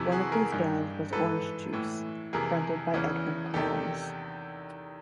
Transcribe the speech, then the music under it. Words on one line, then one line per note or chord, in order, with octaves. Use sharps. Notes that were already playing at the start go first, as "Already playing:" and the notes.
One of these bands was Orange Juice, fronted by Edwyn Collins.
Already playing: F2 C3 E3
F#4 G#4
G#4 A#4
G2 D#3
G#2 E3 A4 B4
A2 E3
F2 C3 E3 G#4 A#4
E2 C#3 E3
E2 C3 D#3 G4 A4